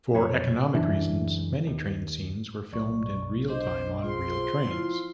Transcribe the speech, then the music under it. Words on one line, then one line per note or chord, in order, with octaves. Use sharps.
For economic reasons many train scenes were filmed in real time on real trains.
B1 F2 C#5 B5
C#2 F#2 E3 D4 E4
D#2
B1 D5 C#6
D4 C5 D#5
C4 F4 G#4 C5 F5 C6
F3 E4 F4